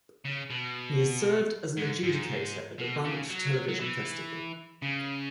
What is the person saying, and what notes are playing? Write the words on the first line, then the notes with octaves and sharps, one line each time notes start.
He has served as an adjudicator at the Banff Television Festival.
C#3
B2
G#2
G#2
B2
C#3
F#3
F#3
E3
C#3